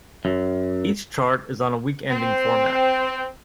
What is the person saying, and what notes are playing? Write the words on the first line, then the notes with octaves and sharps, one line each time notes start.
Each chart is on a week-ending format.
F#2
C4